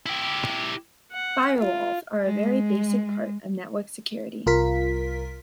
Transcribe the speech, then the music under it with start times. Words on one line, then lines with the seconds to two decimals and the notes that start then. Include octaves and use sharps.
Firewalls are a very basic part of network security.
0.06 E4 G4
1.12 F#5
1.57 F4
2.24 G#3
4.46 C2 F4 A#4 B6